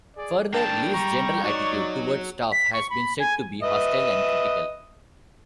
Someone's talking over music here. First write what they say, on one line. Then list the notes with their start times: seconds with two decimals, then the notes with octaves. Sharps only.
Further, Li's general attitude towards staff has been said to be 'hostile' and 'critical'.
0.17 G#4 D5
0.54 A#3 D4 G5 A5
0.94 G3 A#5 C#6
1.44 D#4 F#4 C#5 D5
2.52 B6
2.73 C#6
2.90 B5
3.19 G#5
3.63 B4 D#5 E5